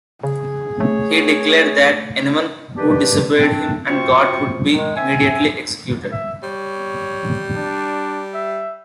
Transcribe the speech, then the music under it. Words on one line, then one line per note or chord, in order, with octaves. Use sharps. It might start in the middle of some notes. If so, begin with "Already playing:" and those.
He declared that anyone who disobeyed him and God would be immediately executed.
C#3 G#4
A3 C#5
D#3 D4 G4 B4
A3 C4 D4
C3 C4 F4 F#4 C5 C#6
D#3 G#3
C4 E5 G#5
E5
G3 C#5
D4
E5